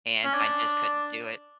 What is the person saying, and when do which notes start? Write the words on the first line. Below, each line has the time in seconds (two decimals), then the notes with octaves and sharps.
and I just couldn't do it,
0.24 C#4
0.34 D4